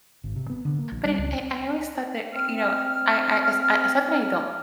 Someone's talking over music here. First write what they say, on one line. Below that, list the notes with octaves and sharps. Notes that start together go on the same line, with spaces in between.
But i I I always thought that y you know, I I it's not that I don't
G#1
C3
B3
D3
A#3
A#1
G3
C#2
C4 F6